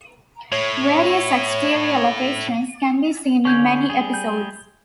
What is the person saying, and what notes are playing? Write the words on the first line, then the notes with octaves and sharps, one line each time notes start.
Various exterior locations can be seen in many episodes.
A2 C#5
D3 C#4 C#6 G6 G#6
G3 G#4
G6